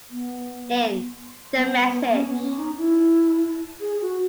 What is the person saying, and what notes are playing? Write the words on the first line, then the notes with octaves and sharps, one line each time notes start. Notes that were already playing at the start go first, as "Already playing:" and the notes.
In: The Message.
B3
B3
B3
C#4
B3
C#4
D#4
E4
G#4
F#4